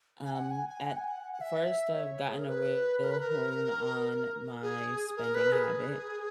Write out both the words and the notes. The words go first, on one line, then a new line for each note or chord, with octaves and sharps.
um, at first I've gotten a real hone on my spending habit.
G#5
F#5
G#5
G#5
F#5
G#5
F#5
F#5
E5
C#5
G#4
A#4
B4
A#4
B4
A#4
G#4
A#4
B4
G#4